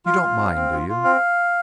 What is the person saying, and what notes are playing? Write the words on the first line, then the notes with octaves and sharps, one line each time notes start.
You don't mind, do you?
F4 F5
F4
C4
C4
F4
F4
C4 F5